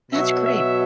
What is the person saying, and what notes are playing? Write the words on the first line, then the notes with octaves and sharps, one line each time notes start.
That's great.
B2 F#3 E5
E5